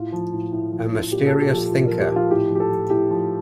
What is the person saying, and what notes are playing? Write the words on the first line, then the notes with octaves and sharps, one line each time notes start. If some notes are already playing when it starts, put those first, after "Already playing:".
A mysterious thinker.
Already playing: A2 F4
F3
A2
A2
F3
A2
A#2 G4
A4
A#2
G4
F3 G4
A#2
F3 A#4
G4
F3
F4
A2 G4
F3 G4
A4
F3
A2 G4
F3